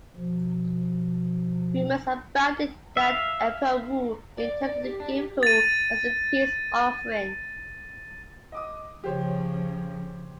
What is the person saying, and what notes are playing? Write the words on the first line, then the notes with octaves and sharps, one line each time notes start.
Rumors abounded that Emperor Wu intended to give Hou as a peace offering.
B2 F3
E5 F5
D5
D5
G4
D4
G4
A6 D#7
D#5 D6 D#6
C#3 F3 G4 C5 C#5